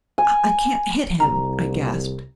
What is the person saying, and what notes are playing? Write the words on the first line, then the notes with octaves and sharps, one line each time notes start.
"I can't hit him," I gasped.
G#5
C2 A#5